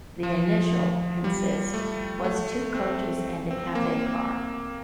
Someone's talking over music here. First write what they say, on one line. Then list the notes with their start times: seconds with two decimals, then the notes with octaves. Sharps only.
The initial consist was two coaches and a cafe car.
0.23 F3
1.24 G3
1.74 A3
2.24 A3
2.75 C4
3.51 C4
3.75 A#3